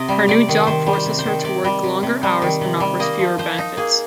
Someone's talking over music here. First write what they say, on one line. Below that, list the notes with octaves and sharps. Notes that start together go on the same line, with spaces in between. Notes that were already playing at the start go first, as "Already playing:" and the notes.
Her new job forces her to work longer hours and offers fewer benefits.
Already playing: C3 D#5
G3
C3 D5
D#3
D#3 C5
G3
C5
C3
C5
D#3
C3 D5
G3
C3
C3
G3
D#3
C3
G3
A#3 D#5
F3
F3 C5
D#4
A#3 G#4